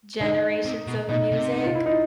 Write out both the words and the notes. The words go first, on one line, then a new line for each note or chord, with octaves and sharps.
generations of music.
D3 D#4
C3
B2
B2 D#4
C3
D#4
F4
E4
D#4